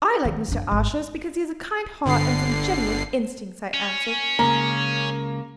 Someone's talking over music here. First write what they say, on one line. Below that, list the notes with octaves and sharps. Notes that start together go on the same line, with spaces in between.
'I like Mr. Ashurst because he has a kind heart and some genuine instincts,' I answered.
D#3
F#2 D4
G#1
G1 D3 C7
C#4
C#2 C#3 A#3 A#5